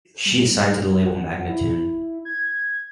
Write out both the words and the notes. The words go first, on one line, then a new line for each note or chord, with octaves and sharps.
She is signed to the label Magnatune.
G3
F#5
E4
G#6